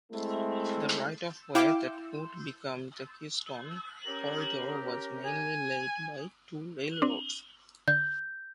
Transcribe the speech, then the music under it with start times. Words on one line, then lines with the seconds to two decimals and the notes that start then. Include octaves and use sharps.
The right-of-way that would become the Keystone Corridor was mainly laid by two railroads.
0.11 G#3 A3 C4 E4
1.55 E4 F5 G5 D6
4.06 C#4 G4 A#4
5.25 G#5
7.02 C4 D4
7.88 D3 G6